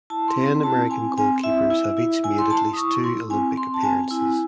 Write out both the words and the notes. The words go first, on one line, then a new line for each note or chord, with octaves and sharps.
Ten American goalkeepers have each made at least two Olympic appearances.
E4 A5
C6
C4
C6
E4 A5
C4 G#5
C4 G#5
E4 E5
E4
E4
E4 G#5
C6
E4 A5
D#6
E4 C#6
E4 C6
C4 G#5
C4 C6
A5
C4 G#5
E4